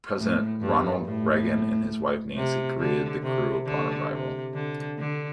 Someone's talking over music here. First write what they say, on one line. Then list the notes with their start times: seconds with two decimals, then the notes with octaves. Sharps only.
President Ronald Reagan and his wife Nancy greeted the crew upon arrival.
0.16 A2
0.60 G2
1.04 A2
2.36 C3
2.79 D3
3.23 C3
3.67 D3
4.10 C3
4.54 D3
4.98 D3